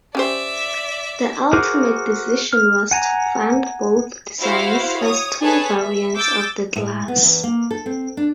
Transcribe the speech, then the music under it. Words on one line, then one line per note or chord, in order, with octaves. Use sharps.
The ultimate decision was to fund both designs as two variants of the class.
C#4 G4 C5 D5 E5
F#4 G#4 A#4 C5 D6
F6
F#5 G#5 A#5
E4 F#4 C5 F5 F#5
C#5 D#6
G#4 A4 B4 C#5 G#5 A5
E5
D6 E6 G6 A6 D7
A2
B3
E2
A#3
A4
C4
D4